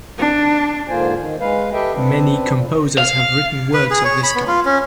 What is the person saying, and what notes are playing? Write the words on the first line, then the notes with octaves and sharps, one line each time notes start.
Many composers have written works of this kind.
D4
G#2 D3 A#3 F4 C5 G#5
D#3
G#3 B4 F5
G4 A4 B4 D#5 E5 G5
C4 D4 B4
F2 A#2
F5
B4
G#4
C#5
B5
B3
F4
C#4